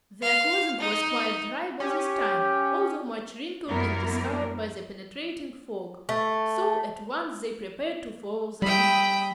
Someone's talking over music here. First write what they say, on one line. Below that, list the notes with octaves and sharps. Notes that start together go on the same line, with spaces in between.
Their clothing was quite dry by this time, although much wrinkled and discolored by the penetrating fog, so at once they prepared to follow the Pinkies.
F5
D#4
C#4 G4
F#2 G3 A#3 B3 E4 A#4
A3
G3 E4 G5 B5 D#6